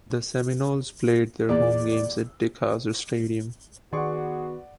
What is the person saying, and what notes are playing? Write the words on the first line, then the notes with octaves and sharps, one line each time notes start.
The Seminoles played their home games at Dick Howser Stadium.
E2 A#2 D5
D#3 B3 F#4 G#4 D5 F#5 C6 C#6